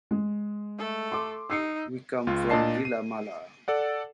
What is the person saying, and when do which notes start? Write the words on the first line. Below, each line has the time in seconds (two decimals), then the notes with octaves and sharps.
We come from Vilamalla.
0.11 G#3
0.78 A3 A4
1.12 C6 D6
1.50 D#4 E6 C7 C#7
2.27 C#2 F4
2.50 A#2 D4 D#5 A5 C7
2.85 D#7
3.68 A4 D5 F#5